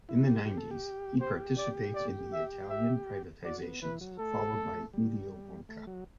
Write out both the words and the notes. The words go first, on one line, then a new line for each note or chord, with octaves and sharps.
In the nineties, he participates in the Italian privatizations followed by Mediobanca.
E4
G4
G4
A4
G4
G4 C5
D5
D5
E5
E5
F#4 D5
B3
E3 B4
F#3
A3 A4
G3
A3
F#3